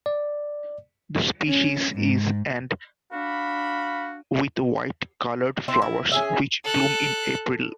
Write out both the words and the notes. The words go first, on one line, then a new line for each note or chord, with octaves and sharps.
The species is and with white coloured flowers which bloom in April.
D5
C#4
G#2
D4 F#4 F5 B5
C4 E4 C5
E4
C#4 G#4 E5
A4 F#6